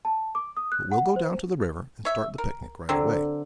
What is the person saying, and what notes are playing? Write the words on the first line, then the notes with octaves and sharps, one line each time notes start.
But we'll go down to the river and start the picnic right away.
A5
D6
D#6
F#6
F#5
C5
C#5 E5
A#4
D3 F#3 C4